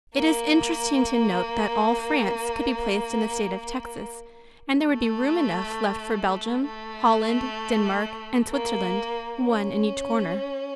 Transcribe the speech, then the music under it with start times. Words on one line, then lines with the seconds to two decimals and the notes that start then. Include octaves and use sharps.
It is interesting to note that all France could be placed in the state of Texas and there would be room enough left for Belgium, Holland, Denmark and Switzerland, one in each corner.
0.15 A#3
4.79 A3
6.66 A3
8.51 A#3
9.43 C#4